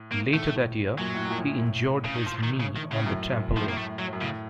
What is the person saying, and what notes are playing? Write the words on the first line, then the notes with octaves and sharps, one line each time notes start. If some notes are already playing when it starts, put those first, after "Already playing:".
Later that year, he injured his knee on the trampoline.
Already playing: A2
A#3
A2 A3
F#2 A#2 F#3
A2
A2
F#2 A#2
A2
C#3
D#3
F3
D#3
C#3
D#3
A2 C#3
F#2
F#2
A2 F3
A#3
A3
F#3
F#2
A2 C#3